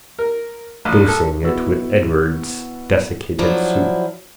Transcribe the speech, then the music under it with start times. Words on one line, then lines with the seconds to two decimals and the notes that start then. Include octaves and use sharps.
Dosing it with Edwards' desiccated soup.
0.19 A#4
0.85 A#1
1.08 A4
1.43 B2 E4 F#4 B4 E6
3.39 F3 F#3 D4 E4